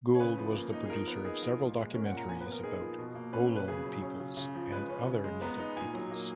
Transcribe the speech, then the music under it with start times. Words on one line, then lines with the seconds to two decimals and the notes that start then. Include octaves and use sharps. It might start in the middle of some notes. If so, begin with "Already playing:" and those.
Gould was the producer of several documentaries about Ohlone peoples and other native peoples.
0.15 C#5
0.20 C#3 B4
0.38 F3
0.55 A#3
0.72 D#4
0.85 G#4
0.90 F3 A#4
1.07 B3
1.24 D#4 G#4
1.42 F3
1.60 A#2
1.77 G#3
1.94 C#4 A#4
2.06 F#5
2.11 A#2
2.17 A#5
2.29 F3 G#5
2.41 B4
2.46 B3
2.52 A#4
2.63 D#4 G#4
2.81 F3
2.98 B2
3.15 A#3
3.33 C#4 B4
3.50 B2
3.56 B4
3.68 C#3 G#4
3.85 F#3
4.02 C#4
4.20 C#3
4.37 C#3
4.55 F3
4.72 G#3 B4
4.89 C#4
5.07 C#3
5.24 G#3
5.42 B3 A#5
5.59 D#4
5.76 A#2 G#5
5.94 F#3
6.11 A#3